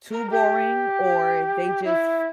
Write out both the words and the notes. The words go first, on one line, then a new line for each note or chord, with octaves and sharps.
too boring, or they just
A#4
G4
E4